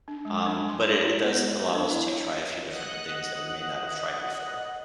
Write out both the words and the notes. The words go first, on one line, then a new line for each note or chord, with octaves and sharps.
Um, but it it does allow us to try a few different things that we may not have tried before.
D4
G#3
D4
C6
E4
B3
G#3
C5
D4
E4
C#5
D#5 F#5 F#6